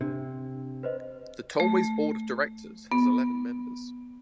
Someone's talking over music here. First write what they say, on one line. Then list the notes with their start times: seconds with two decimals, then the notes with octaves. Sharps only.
The Tollway's board of directors has eleven members.
0.01 C3 D4
0.83 B4 C5 D#5
1.60 A3
2.92 B3